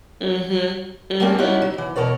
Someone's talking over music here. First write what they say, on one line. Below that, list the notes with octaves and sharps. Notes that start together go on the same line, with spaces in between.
Mhm. Mhm.
F#3 G3 A3 A#3 C4 C#4
A#3 C#4 D#4 E4 F#4
F#3
E3
E2 B2 A#4 C#5 D5